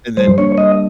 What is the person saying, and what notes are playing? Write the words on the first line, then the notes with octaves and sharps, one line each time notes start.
And then
G3 C5
A#3 D4 C#5
G3 D#5